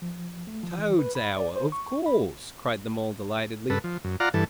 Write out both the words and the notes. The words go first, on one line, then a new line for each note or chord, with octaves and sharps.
'Toad's hour, of course!' cried the Mole delightedly.
F3
A3
F3
E3
B4
B5
D5
C5
C#6
B5
G2 A4 B4
F3
F#2
F4 D5 F5 F#5 A#5
G2 E3 A4